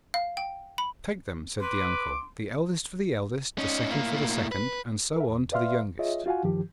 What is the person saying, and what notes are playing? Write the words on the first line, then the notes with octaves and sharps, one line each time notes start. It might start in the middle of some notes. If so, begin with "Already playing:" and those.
'Take them!' said the uncle; 'the eldest for the eldest, the second for the second, and so on to the youngest.'
F5
G5
B5
B4 C6 D6
C#4 D#4
A2 A#3
B4
A#4 E5
E2
B4 D5 E5 F5 C6 F6
F4 G#4 C#5 D#5 E5
F4 F#4 F5 F#5 G#5
G2 D#3 F3 G4